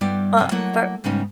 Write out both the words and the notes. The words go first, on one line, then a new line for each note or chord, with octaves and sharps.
Uh, for
G2 G3 B3 E4 D5
F#2 C3
F#3 A3 A#3 E4 D#5 F#5
G#2 C#3 G3 B3 C#4 D#4